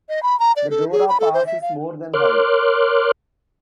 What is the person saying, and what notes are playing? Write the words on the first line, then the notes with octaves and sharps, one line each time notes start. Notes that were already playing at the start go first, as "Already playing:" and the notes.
The Dorah Pass is more than high.
D#5
B5
A#5
D5
A4
G#4
B5
A4
C5
E5
F5
A#4 C#5 C6 D6 F6 F#6